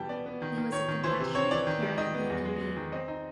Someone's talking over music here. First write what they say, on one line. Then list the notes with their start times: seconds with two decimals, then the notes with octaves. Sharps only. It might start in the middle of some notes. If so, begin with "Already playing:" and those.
He was a compassionate, caring human being.
Already playing: B2 E3 G3 G5 A5
0.09 B3 D5
0.26 B3
0.42 D#3
0.57 D#3
0.72 D#3 C#5
0.88 D#3
1.03 E3 C5
1.20 C3
1.35 C4 C#5
1.51 E3 D5
1.67 D#3
1.82 G3
1.98 D#3 D#5
2.14 B3
2.29 E2
2.45 G#3
2.61 G#3
2.77 D#3
2.92 C4 D#5
3.08 D#4